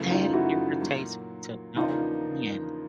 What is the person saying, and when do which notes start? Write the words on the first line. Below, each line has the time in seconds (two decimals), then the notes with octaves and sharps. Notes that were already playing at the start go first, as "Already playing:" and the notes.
That irritates to no end.
Already playing: F#2 C#3 E3 A3
0.10 D#4 F4
0.33 E4 F#4
0.81 A#2 F#3 A#3
1.76 E2 C#3 F3 A#3 D4 D#4 F4